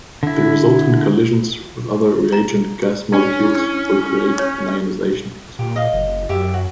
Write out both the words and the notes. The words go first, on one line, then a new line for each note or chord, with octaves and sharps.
The resultant collisions with other reagent gas molecules will create an ionization plasma.
D3 E4
A#5
C#4 D4
E4
C#5
A#2 G4
D#5 F5
F#1
F#2 G4 E5
F#4